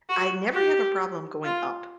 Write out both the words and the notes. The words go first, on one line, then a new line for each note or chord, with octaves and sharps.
I never have a problem going up.
F#4
G4
F4